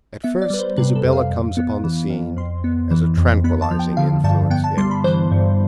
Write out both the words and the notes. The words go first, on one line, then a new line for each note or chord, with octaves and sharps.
At first Isabella comes upon the scene as a tranquillising influence in it.
B3 E5
D5
G3 B4
C5
C3 B4
A4
F2
F5
F2
B3
E3
F2
F2 C6
B3
E3
F2
B3 B5
A5
F3
G5
D3 F5
G2 A5
B3 G5
A5
G3 C6
B5
E3 C5
G2